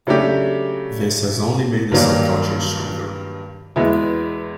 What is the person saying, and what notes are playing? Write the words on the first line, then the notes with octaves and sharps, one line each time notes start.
This has only made the subculture stronger.
C#3 F#3 A3 D4 G4
G2 D#3 F#3 A#3 D4
E2 B2 G#3 B3 E4